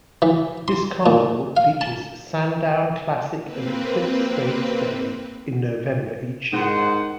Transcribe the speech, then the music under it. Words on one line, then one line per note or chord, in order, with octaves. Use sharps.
This carnival features Sandown Classic and Eclipse Stakes Day in November each year.
E3
C6
A#2
F5
A5
A#3 C4 B4
G#2 D#3 C5 F#5